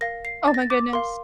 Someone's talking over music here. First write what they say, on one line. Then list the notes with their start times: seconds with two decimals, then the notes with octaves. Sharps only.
Oh my goodness.
0.01 A#4 F5 A#6
0.25 C7
0.48 A6
0.54 A#6
0.62 A6
0.70 D6
0.93 A#4 F5 C6